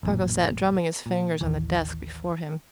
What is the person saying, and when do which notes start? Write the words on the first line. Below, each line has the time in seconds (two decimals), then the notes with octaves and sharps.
Spargo sat drumming his fingers on the desk before him.
0.03 A1 F#2 A#2
1.06 A#2
1.41 A1 D#2 E3